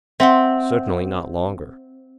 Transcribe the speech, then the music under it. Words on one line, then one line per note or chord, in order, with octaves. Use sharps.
"Certainly not longer."
C4 E5 F#5 C6